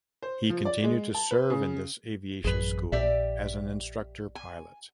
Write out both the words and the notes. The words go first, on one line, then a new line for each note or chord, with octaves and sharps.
He continued to serve in this aviation school as an instructor pilot.
C5
F3
D5
G#3
A5
B4
C#3
A1 F#2 G#4 B4
A#1 G4 D5 E5
G#5